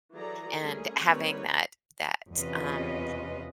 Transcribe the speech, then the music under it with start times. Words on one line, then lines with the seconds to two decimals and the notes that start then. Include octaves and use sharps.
and having that that, um,
0.14 E3 F#3 G#4 A4 D5 A#5
0.60 G3 A3 C#4 G#4 A#4
1.07 G3 A#3 C4 D#4 B4 C#5
2.34 E2 C3 C#4 F4 B4 D#5